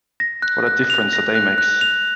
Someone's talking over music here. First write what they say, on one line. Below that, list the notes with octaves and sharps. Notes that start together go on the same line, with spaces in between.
What a Diff'rence a Day Makes!
A#6
F#6
F#6
F7
A#6
F#6
F#6
F7